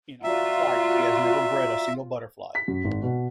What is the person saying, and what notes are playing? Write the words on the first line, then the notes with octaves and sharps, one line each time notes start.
In all his life he has never bred a single butterfly.
F4 F#4 D5 E5 A#5
B6
F#2
G#1
B2